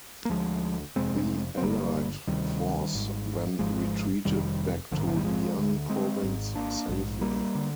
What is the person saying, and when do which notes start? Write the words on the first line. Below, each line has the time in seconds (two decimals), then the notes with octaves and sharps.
The allied force then retreated back to Liang Province safely.
0.25 A#3
0.30 D2 D3 F3 G#3
0.96 F1 F2 C3 G#3 C4
1.57 C4
1.62 G1 G2 D3 G3 A#3
2.27 D2 C3 D#3 G3
2.94 G#1 G#2
3.59 G#1 G#2 F3 G#3
4.25 F1 F2 C3 D#3 G3
4.91 A#1 D3 F3
4.96 G#2 D#3
5.07 D3 F3
5.16 D#3 G3
5.24 F3 G#3
5.57 D2 D3
5.90 G#3 C4
6.23 G#1 G#2
6.55 A#3 D4
6.88 A#1 G#2
7.21 G3 A#3
7.55 D3